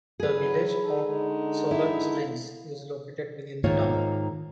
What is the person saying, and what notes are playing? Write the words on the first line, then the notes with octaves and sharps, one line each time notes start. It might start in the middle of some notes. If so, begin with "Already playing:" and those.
The Village of Solon Springs is located within the town.
G#4 B4
F#3 E4
D#4 A4
D3 G#3 D#4
E4
G#2 D#3 A#3 F4 C#5